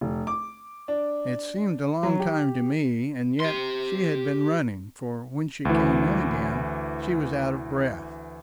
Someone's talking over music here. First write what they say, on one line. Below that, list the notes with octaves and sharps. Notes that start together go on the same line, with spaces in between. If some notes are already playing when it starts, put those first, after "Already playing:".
It seemed a long time to me, and yet she had been running, for when she came in again she was out of breath.
F1
D6
D4
F#3
G4
G4 C6
D2 E3